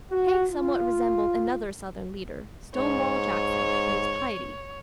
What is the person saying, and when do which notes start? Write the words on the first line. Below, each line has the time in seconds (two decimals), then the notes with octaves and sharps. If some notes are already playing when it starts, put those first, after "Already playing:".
Haig somewhat resembled another Southern leader, Stonewall Jackson, in his piety.
0.11 F#4
0.53 F4
2.75 G#2 C#5